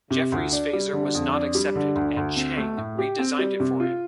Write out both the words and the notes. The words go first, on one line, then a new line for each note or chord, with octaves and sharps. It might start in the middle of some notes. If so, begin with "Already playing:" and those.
Jefferies' phaser was not accepted, and Chang redesigned it for him.
C3
D2
D4
G3
D3
F2
D4
G3
D3
D2
D2
C4
A3
A2
G4
C4
G3
C3
F4